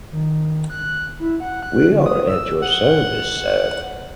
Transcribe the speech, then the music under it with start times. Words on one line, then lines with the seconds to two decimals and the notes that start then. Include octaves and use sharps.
We are at your service, Sir.
0.12 D#3
0.70 F#6
1.20 E4
1.40 F#5
1.62 F#6
1.91 D3
2.06 D#6
2.28 E6
2.62 F#5